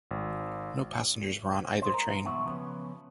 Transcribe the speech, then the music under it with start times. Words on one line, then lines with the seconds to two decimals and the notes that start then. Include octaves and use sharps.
No passengers were on either train.
0.11 G#1
1.82 G#3 D4 C5
1.94 A#4
2.25 E2 G#2 B2 F#3 F#4 E5
2.44 C#3 F3 B3 C#4